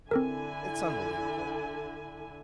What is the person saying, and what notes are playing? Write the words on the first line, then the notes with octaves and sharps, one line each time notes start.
It's unbelievable.
D3 C4 E4 A4 A#4 G#5